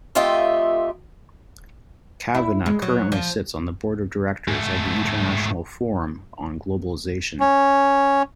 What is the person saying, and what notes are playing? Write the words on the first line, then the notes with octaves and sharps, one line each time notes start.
Cavanagh currently sits on the board of directors of the International Forum on Globalization.
F2 A3 F4 G4 D#5 E5
E4
G#3
F#3
F3
G#2 A3
C#4